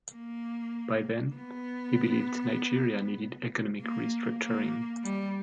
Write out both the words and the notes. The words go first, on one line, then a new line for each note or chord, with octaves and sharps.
By then, he believed Nigeria needed economic re-structuring.
A#3
B3
A#3
A#3
G3